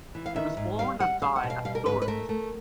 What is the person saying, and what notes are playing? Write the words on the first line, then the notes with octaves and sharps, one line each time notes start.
He was born and died at Florence.
E3
F5
D#3 E5
G#2
G3 F5
G3 F#5
G3 F5
F#5
B2
F5
G3 F5
A#4
G#2 B4
B4
A3 A#4
A3